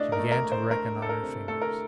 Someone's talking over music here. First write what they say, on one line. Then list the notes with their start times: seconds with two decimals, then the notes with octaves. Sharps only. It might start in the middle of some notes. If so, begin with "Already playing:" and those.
She began to reckon on her fingers.
Already playing: A3 D4 D5 D#5
0.12 A#4
0.19 A3
0.32 A#4
0.45 A3
0.52 C5
0.71 A3 A#4
0.96 A3
1.02 A4
1.09 A#4
1.22 C3
1.48 A3 A4
1.62 A#4